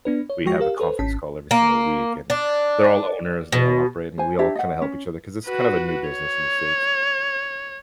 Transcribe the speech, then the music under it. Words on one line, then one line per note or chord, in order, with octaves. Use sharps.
we have a conference call every single week, and they're all owners and they all operate, and we all kinda help each other 'cause it's kind of a new business in the states.
B3 D4 B4
C#5
F3 G#3 F#4 G5 C#6 A#6
G4 A#4 F5
A4 B4 C5
G#1 C#4 A5 B6
A#3
D4
B2
C5 G#5
D4 G4 C#5 E5
D#5 F#5
C#4
F#4 B4
C#5